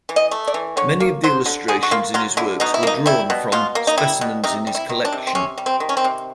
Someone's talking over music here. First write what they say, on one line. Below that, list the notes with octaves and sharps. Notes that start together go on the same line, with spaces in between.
Many of the illustrations in his works were drawn from specimens in his collection.
E3
D#5
A3
D5
E3
D3 C#5
A#3
F#3 C5
D3
D3 G#4
F#4
A#3 F4
F#3 F4
D3 E4
B2 D#4
E4
A#3 D#4
G3 E4
B2
B2 F4
A#3
D#4
G3 E4
B2
C3 D#4
G3
E4
D#3
D4
C3
C4
C3 C#4
G3
C4
D#3
C#4
C4
C3